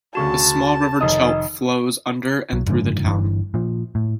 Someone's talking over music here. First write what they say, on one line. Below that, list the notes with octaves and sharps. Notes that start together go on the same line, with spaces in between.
The small River Chelt flows under and through the town.
D2 C#3 F#4 A5 C#6 E7
F1 D#3 D#5 D#6
B1 F#3
F#1 G#2 D3 F3
G1 G2 D3 E3
A#2 F3
A2